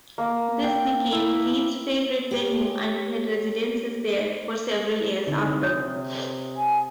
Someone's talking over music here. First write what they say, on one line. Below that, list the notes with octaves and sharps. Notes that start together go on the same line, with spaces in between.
This became Reid's favourite venue and he had residencies there for several years after.
A#3
G5
E4
G4 C#5
C2 D3 C4 D#4
C3 C#5 D#6
G#5